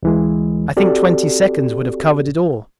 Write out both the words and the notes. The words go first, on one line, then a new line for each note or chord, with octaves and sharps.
I think twenty seconds would have covered it all.
D2 E3 G#3
C4 F#4 G4 A4 D5